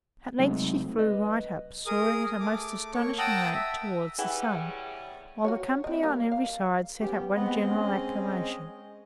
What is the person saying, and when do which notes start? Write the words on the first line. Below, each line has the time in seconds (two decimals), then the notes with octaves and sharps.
At length she flew right up, soaring at a most astonishing rate towards the sun, while the company on every side set up one general acclamation.
0.38 C3 F#3 G#3 A3 C4 D#4
0.98 B4 D#5
1.87 G#4 A#4 D#6
2.40 A3 D6
2.93 A#3 C#5 C#6
3.19 F#5 G5 A5 A#5 D#6 E6
3.55 E5
4.19 A2 E3 G3 C#4 G#4 F#5 G5
5.45 F#4 G#4 C#5
5.84 C4 D#5
6.03 G3 A#3 A#4
6.32 F5
7.01 B3 C#4 G4
7.36 G#3 B3 C4 D#5
7.69 C#4